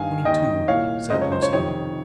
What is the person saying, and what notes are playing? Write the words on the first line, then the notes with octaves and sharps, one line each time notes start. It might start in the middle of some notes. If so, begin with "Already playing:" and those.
'Twenty-two,' said Lucy.
Already playing: G2 D#3 F5 G#5
D#2 D#3 D#5 G5
C2 A#2 C#5 F5
C#2 C#3 C5 D#5
C#5
C5
C#5
F2 C3 D#3 C#5